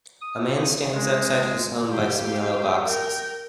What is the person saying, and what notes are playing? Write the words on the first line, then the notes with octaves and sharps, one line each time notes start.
A man stands outside his home by some yellow boxes.
D#6
G#3
G4 F5
A#4 G5